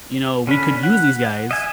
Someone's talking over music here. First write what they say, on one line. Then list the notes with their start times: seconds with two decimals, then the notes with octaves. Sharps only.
you know, we could use these guys
0.47 D3 C#4 D4 B5
0.83 F#5
1.51 D#5 E5 G#5